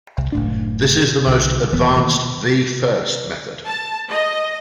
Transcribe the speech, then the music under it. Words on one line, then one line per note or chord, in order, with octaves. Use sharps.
This is the most advanced V first method.
C2
F#1 A2 D4
B1 D3
D#1 E3 B3
B2 D#3 A#3
A5
D#5